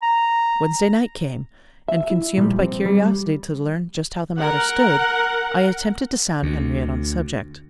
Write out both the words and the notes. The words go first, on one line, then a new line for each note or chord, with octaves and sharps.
Wednesday night came, and, consumed by curiosity to learn just how the matter stood, I attempted to sound Henriette on the subject.
A#5
E5
E4
A#2 F3 G3
C4
G3
A#4 F#5
D2